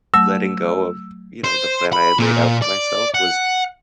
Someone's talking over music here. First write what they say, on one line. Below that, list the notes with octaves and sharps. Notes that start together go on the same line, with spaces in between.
letting go of, you know, the plan I had laid out for myself was
F#3 A3 E6
C5
B5
A#2
D5
F#5